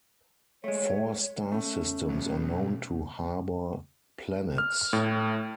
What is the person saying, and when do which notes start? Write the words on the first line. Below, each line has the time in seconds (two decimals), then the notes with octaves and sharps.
Four star systems are known to harbour planets.
0.64 G#3 A3 C#5
1.52 A3 C#4
2.10 B1 F#3
4.58 F6
4.93 A2